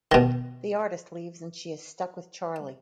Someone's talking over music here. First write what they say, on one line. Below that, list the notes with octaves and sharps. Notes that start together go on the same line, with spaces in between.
The artist leaves and she is stuck with Charlie.
B2 D#3